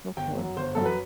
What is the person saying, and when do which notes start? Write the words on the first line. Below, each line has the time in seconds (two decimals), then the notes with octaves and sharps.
Okay, well
0.17 G1 G5
0.37 F#2 F#3
0.57 G1 C5
0.75 F#2 F#3 A4
0.86 B4